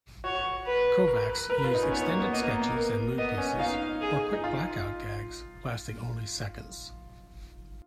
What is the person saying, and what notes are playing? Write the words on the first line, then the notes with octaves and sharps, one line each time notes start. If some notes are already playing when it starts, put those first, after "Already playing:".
Kovacs used extended sketches and mood pieces or quick blackout gags lasting only seconds.
F#4 C#5
B4
A#4
B4
A#4 B4
F4
D#4
C#4
B3 C#5
A#3
B3
A#3 D#5
A#3
A#3
A#4
B3 D#5
C#4
D#4 F5
G#4
D#4
F4